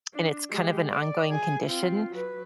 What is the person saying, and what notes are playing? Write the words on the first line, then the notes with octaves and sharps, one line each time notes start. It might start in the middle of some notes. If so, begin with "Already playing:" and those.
and it's kind of an ongoing condition,
D4
G#3 G4
D5
G#4 G#5
C4 F4
F#3 B4